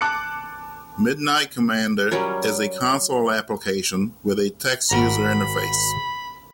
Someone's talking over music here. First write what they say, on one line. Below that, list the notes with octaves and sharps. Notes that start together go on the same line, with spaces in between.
Midnight Commander is a console application with a text user interface.
A5 D6 F#6 C#7
F#3 G3 C#4 A#4
G#1 F#4 A#4 B5